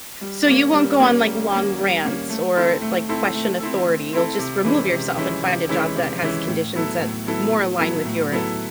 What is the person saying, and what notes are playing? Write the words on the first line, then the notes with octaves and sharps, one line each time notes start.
So, you won't go on, like, long rants or, like, question authority. You'll just remove yourself and find a job that has conditions that more align with your
G3
A#3 C#4
G3
A#3 C#4
G3
A#3 C#4
G3
A#3 C#4
A3
C4 E4 A4
A3
C4 E4 A4
A3
C4 E4 A4
A3
C4 E4 A4
C3
E3 G#3 C#4 E4
C3
E3 G#3 C#4 E4
C3
E3 G#3 C#4 E4
C3
E3 G#3 C#4 E4
A2
F#3 B3 E4 A4
A2
F#3 B3 E4 A4
A2
F#3 B3 E4 A4
A2
F#3 B3 E4 A4